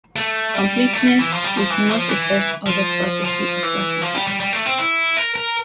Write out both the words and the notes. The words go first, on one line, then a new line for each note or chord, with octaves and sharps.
Completeness is not a first order property of lattices.
A3
G3
A3
G3
E3
F3
G3
F3
E3
F3
E3
F3
F3
E3
F3
G3
G3
G3
A3
C4
E4
A#4
A#4